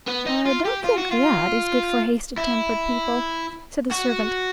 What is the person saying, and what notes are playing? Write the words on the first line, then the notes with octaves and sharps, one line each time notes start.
"I don't think that is good for hasty-tempered people," said the servant.
B3
D#4
F4
G4
F4
F#4
F4
E4
F#4